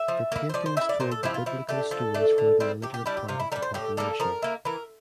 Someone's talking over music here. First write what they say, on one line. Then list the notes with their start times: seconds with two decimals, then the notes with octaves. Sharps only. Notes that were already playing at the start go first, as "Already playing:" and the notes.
The paintings told the biblical stories for the illiterate part of the population.
Already playing: E5
0.08 F3
0.32 A#3 E4
0.50 C5
0.54 F3 D5
0.66 C5
0.77 C4 E5
0.81 E4
0.89 D5
1.00 A#2 C5
1.11 A4
1.23 F3 C4 E4 G4
1.34 F4
1.46 F3 E4
1.69 A3 D4 G4
1.91 F3 A4
2.14 A3 D4
2.38 D3
2.60 G3 C4 E4
2.82 C3 G4
2.94 G4
3.06 G3 D4 E4
3.17 G4
3.28 C3 F4
3.40 E4
3.52 G3 D4 A#4
3.62 C5
3.74 A2 G4
3.97 G3 A#3 A4
4.20 F3 A#4
4.42 A#3 E4
4.65 E3 A#4